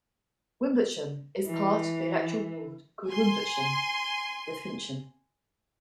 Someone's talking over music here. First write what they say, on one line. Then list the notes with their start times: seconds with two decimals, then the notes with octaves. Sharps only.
Wimbotsham is part of the electoral ward called Wimbotsham with Fincham.
1.46 E3
3.07 G#5 C6